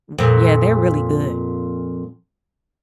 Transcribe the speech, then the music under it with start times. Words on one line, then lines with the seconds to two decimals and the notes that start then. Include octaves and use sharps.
W yeah, they're really good.
0.19 F2 A#2